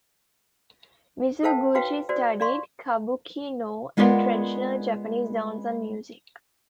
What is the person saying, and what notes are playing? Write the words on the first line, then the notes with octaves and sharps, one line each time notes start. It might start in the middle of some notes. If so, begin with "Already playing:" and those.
Mizoguchi studied "kabuki", "noh", and traditional Japanese dance and music.
A4 A#4 C5 F5 G5 A5
D#4 F#4 B4 C#5 F5 G5
F#4 A#4 C5 D5
D5 F5 C6 C#6
G#3 B3 F4 A#4 D5